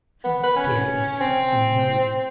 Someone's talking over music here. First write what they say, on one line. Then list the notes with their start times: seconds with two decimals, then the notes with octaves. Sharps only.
How dare you be so familiar!
0.24 B3
0.43 B4
0.56 C#4
1.20 C4